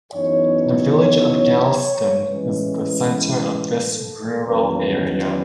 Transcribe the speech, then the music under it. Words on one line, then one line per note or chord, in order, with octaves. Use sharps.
The village of Galston is the centre of this rural area.
F#2 E3 B3 D#4 C#5
A2 E3 G#3 C#4 B4
B4
A4
E2 D#3 F#3 C#4 B4
B4